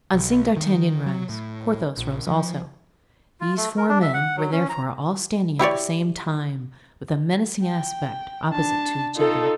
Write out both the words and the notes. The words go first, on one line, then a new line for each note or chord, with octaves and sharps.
On seeing D'Artagnan rise, Porthos rose also; these four men were therefore all standing at the same time, with a menacing aspect, opposite to each other.
B1
D#3
F#3
A2
A#1
F3
F4
A3
A#4
D4
E5
F#5
F#3
C#4
A#5
E4 G4 C#5 D5
G5
D4 A5
D#4 F4 A4